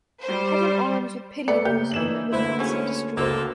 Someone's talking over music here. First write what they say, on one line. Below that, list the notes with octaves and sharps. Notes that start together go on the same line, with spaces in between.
Heaven arms with pity those whom it would not see destroyed.
G3 C5
A3 B3 B4 D5 C#7
C#3 A#3 G4 G6
E3 D4 D#4 E7 F#7
D2 E4 B4 C5
F#3 G#3 B3 C#4
C#2 A#3 F#4 A4 C5 D6